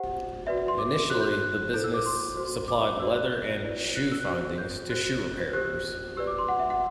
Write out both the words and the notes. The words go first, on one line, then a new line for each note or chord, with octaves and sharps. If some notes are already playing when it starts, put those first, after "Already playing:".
Initially the business supplied leather and "shoe findings" to shoe repairers.
Already playing: G4 C5 F#5
F#4 B4 D5 E5
E5
C6
D6
F#4 C5 F#6
G6
F#6
F#6
E4 A4 C5 G6
E6
D6
C6
F#4 C5
D6
F#4 B4 D5 E6
F#6
G6
E4 B4 D5
F#6
E6
F#6
F#4 C5 E6
G6
F#4 C5 F#6
G4 C5 F#6
G4 B4 D5 E6
D6
C6
F#5
E5
F#5